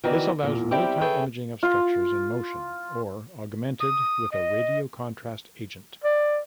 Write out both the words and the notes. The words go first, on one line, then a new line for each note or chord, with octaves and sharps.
This allows real-time imaging of structures in motion or augmented with a radiocontrast agent.
D#3 E3 B3 F#4 D5
E2 A#2
G3 C4 E4 G4 D5
G#4 A4 B4 C#5 E5 G5
F4
D#6
D#5
D5